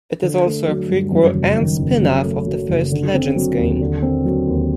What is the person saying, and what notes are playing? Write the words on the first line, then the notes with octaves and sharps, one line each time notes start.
It is also a prequel and spin-off of the first Legends game.
D3
A3
F#3
G2
F#2
F#1
D#3
F#1
F#2
A3
F#3
F#1
D3
C4
F#3
D#2
D3
C4
F#3
D#2